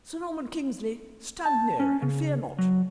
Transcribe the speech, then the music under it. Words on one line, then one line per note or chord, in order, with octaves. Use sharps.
Sir Norman Kingsley, stand near, and fear not.
A5
C#4
C#3
F#3